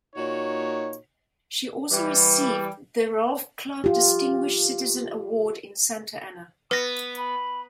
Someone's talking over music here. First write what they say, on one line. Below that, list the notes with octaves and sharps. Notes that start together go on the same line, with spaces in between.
She also received the Ralph Clark Distinguished Citizen Award in Santa Ana.
A#2 D#4 F#4 C#5
E3 G3
F4 G4
B3 B4 A#6
B5